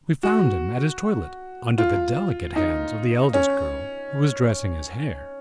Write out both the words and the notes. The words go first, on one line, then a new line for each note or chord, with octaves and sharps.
We found him at his toilet under the delicate hands of the eldest girl, who was dressing his hair.
F#4
F4
D#4
C#4